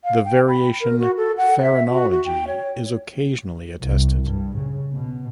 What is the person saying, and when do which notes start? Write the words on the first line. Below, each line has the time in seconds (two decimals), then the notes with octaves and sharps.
The variation "pharonology" is occasionally attested.
0.04 F5
0.25 G5
0.48 B5
0.81 A#4
0.99 F#4
1.17 A4
1.37 F#5
1.62 E5
1.90 F#4
2.11 F#4
2.25 G5
2.47 C#5
3.84 C2
4.27 G2
4.60 C#3
4.95 B2